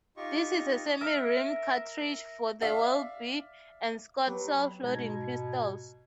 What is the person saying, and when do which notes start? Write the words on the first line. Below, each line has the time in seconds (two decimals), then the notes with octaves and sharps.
This is a semi-rimmed cartridge for the Webley and Scott Self Loading pistols.
0.17 D#4 F4 G4 D#5 C#6
1.01 A#4 E5
2.62 D5 E5 F5
4.27 F#3 B3 G4 B4
4.83 G#2 B2 A#5 G#6